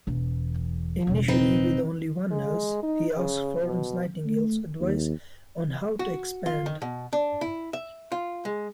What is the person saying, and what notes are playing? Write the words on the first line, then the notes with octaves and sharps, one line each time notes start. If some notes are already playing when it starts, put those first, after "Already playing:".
Initially with only one nurse, he asked Florence Nightingale's advice on how to expand.
E1 E2
E1 C#3
C4 D#4 B4
G#3
D#4
C#3
B2
A3
D#2
F#4
F4
D#3
B2
D4
E4
E5
F4
G#3